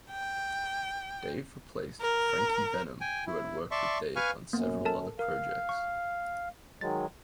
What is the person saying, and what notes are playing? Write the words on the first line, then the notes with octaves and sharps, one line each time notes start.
Dave replaced Frankie Venom who had worked with Dave on several other projects.
G5
A#4
G5 G#5
E4
D5 E5 A5 C6 C#6
B4 F5 G#5 C#6 F6
F#2 A#3 B3
A4 A#4 A5
A#4 F5
C#6
D#3 F#3 G#3 A6